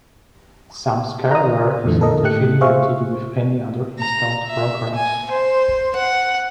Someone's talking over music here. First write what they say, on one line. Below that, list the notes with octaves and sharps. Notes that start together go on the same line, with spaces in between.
Some scareware is not affiliated with any other installed programs.
A#5 D#6
F2 A#2 D3 E3 A3
D3 A4 A#4 D#5
A2 A3 G4 F#6 C#7
G#4 C5 E5 F5 C#6
A#5
E5
G#5
C5
F#5